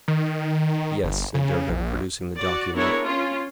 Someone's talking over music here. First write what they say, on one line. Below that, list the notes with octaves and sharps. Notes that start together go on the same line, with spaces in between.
"Yes," said Durham, producing the document.
D#3
G1
C#3
A#1
F#4 D5
B3 D4 E4 G#4 A#4 C#5
C#4 F4